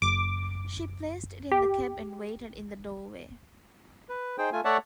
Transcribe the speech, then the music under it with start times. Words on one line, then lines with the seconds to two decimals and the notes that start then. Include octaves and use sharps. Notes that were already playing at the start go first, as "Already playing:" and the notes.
She placed it in the cab and waited in the doorway.
0.02 F#1 D6
1.52 G4
4.09 B4
4.38 D#4 G#4 C5 G5
4.53 A3 F4 G#5
4.65 A3 C#5 D5 E5 F#5 A5